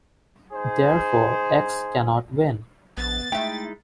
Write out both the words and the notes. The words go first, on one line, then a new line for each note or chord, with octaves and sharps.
Therefore X cannot win.
D#4 G#4 C5
A#1 B3 A6
G#3 A3 D#4 E4 E5 G5